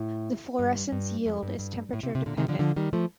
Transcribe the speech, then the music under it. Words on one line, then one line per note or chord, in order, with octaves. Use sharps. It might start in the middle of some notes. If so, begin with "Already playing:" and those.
The fluorescence yield is temperature dependent.
Already playing: A2
G2
G2
F2
G2
G2
A2
C3
C3
A#2 D3
C3 D#3
D3 F3
D3 F3
D#3 G3
F3 A3